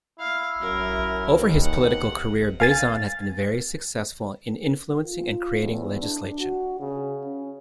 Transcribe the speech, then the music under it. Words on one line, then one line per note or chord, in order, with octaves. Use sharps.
Over his political career, Bezan has been very successful in influencing and creating legislation.
E4 F5
F#2 A#4
D#2
F#5
F5 G#5 A6
F4
E2
D4
F#4
C#3
C#4